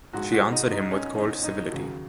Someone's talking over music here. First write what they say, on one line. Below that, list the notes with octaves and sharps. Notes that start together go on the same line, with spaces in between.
She answered him with cold civility.
A#1 G#2 G#3 F#4
F#4
D#4
D#4
C#4
D#4
D#4
D#2 C#3 F#3